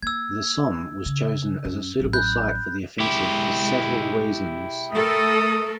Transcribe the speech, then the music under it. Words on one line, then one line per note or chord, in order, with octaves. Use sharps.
The Somme was chosen as a suitable site for the offensive for several reasons.
A#3 E6 G#6
C#3
F#2
A1 F#3
B5 F#6 G6
G#3 E4 G4
A3 A4 A#4 D#6